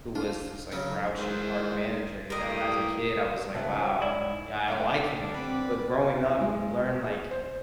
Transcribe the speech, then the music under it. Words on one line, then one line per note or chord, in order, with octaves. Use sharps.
who was this, like, grouchy park manager, you know, as a kid, I was like, "Wow, you know, I don't like him." But growing up, you learn, like,
D4 F4
C#3 F#3 C#4
D#3 E3 G#3 C5
A2 A#3 G4 A#4 D#5 D#6
C#2 C#3 G3 C4 E5 A5 F#6
C#5 D#6
G#2 E4 D5
D3 G3 D4 B4 D5 G5
C4 B4 D5 F#5 B5
E2
G#3
G#4
C5